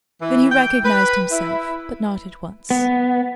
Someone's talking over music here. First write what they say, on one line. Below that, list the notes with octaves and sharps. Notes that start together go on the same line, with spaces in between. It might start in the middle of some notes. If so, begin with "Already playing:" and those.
Then he recognized himself, but not at once.
E3
G5
B4
E4
B3